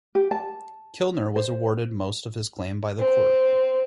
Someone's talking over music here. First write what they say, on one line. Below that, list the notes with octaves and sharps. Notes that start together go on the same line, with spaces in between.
Kilner was awarded most of his claim by the Court.
G4
A5
C5
C4